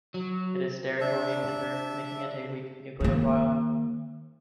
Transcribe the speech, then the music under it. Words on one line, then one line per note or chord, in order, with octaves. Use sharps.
It is sterically hindered, making it a weak nucleophile.
F#3
D4 E5
D#3 A#3